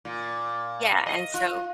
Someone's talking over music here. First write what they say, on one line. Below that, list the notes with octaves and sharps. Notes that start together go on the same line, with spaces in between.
Yeah, and so
A#2
D#5
F4